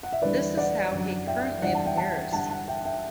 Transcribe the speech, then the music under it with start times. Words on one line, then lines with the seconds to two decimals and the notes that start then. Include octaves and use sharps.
This is how he currently appears.
0.03 F#5
0.13 E5
0.21 E2 D3 G3 B4 D5
0.57 D5 F#5
0.92 F#2 D3 F#3
1.27 E5 G5
1.62 E2 D3 G3 D5 F#5
1.74 F#5 A5
1.86 E5 G5
1.97 F#5 A5
2.33 G2 D3 G3 F#5 A5
2.50 F#5 A5
2.68 E5 G5
2.85 E5 G5